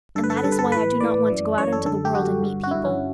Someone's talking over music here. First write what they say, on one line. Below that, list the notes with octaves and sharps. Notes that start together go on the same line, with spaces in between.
And that is why I do not want to go out into the world and meet people.
G2 D3 A4
B4
A4
B4
G2 D3 A4 B4
A4
A2 E3 B4
A2 E3 D5
F#2 E3
F#2 E3 C#5
A4
F#2 D3 A4
G4
F#2 D3 F#4
G2 D3
F#4
G2 D3 E4
C#4